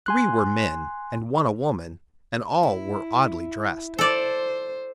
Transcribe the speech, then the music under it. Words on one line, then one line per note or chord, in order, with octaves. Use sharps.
Three were men and one a woman, and all were oddly dressed.
G#5 C6 F#6
E4
A4 C5 D5